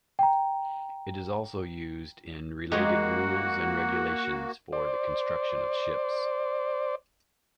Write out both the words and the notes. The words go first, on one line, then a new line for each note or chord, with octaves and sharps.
It is also used in related rules and regulations for the construction of ships.
G5 A#5
G#3 A#3 D#4 F#4 G4 A#4 C#5 F#5
C5 D5